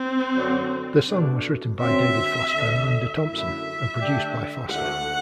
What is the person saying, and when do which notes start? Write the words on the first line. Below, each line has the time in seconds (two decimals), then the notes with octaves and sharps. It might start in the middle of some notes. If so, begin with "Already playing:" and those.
The song was written by David Foster and Linda Thompson, and produced by Foster.
Already playing: C4
0.34 F#2 D3 F#3
1.07 B2 A3 D4
1.79 F#2 D3 F#3 C4 E5
2.52 D2 D3 A3 D4 A4
3.24 F#2 D3 A3 E4 E5
3.97 D3 A3 D4 G4
4.69 D2 D3 A3 F#5